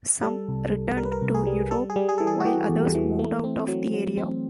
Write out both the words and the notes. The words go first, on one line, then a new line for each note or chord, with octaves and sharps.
Some returned to Europe while others moved out of the area.
G3 A4
C2
C2
G3 A#4
B4
A#4
C2
G#4
G3
G3 A4
G#4
G3
G#4
E3 A4
G#4
F#4
E3 G4
E2
E3
A3
C4
F#3
F#3
C4